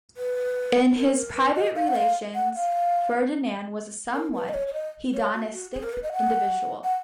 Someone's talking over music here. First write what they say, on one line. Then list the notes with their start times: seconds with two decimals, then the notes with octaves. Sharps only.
In his private relations, Ferdinand was a somewhat hedonistic individual.
0.17 B4
0.96 A#4
1.16 A#4
1.36 B4
1.56 D#5
1.75 F5
1.87 F#5
1.95 F5
2.35 F#5
2.55 F5
4.14 A#4
4.34 B4
4.49 D#5
4.54 C#5
4.67 C#5
4.73 D#5
5.14 C#5
5.34 F#4
5.53 F#4
5.73 G#4
5.83 A#4
5.93 B4
6.03 D#5
6.13 F#5
6.84 F#5